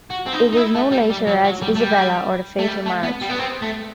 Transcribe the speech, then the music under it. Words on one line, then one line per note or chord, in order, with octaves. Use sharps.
It was known later as "Isabella, or The Fatal Marriage".
F#4
C4
D#4
D#4
E4
A3
G3
G3
F#3
F#3
G3
A3
G3
A3
G3
A3
B3
G3
B3
C4
A3